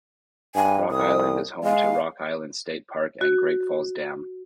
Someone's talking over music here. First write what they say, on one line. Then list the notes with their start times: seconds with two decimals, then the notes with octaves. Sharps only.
Rock Island is home to Rock Island State Park and Great Falls Dam.
0.55 G2 G#5
0.90 C2 D#6
1.64 G#3 F5
3.21 F#4